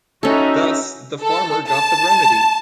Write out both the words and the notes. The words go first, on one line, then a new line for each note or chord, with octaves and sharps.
Thus the farmer got the remedy.
C#4 D#4 F#4 A4 E5
A4
A5